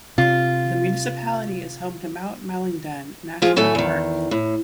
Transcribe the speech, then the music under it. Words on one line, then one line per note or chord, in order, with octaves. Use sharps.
The municipality is home to Mount Malindang National Park.
C3 F4
F3 F4 G#4
A2 F#3 A3 A4 G#5
E2 D#3
A2